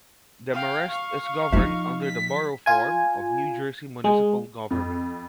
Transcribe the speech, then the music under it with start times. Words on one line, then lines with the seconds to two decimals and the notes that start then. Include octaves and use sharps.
Demarest is governed under the Borough form of New Jersey municipal government.
0.53 F5 G5
0.91 F5 C#6
1.52 F3 D#4 F4 E5
2.03 B6
2.66 F4 G#5
4.04 G#3
4.70 F2